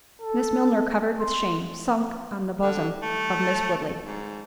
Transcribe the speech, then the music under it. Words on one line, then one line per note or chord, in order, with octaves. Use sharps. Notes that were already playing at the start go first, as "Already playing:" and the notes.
Miss Milner, covered with shame, sunk on the bosom of Miss Woodley.
A4
C6
D3
A3
G#2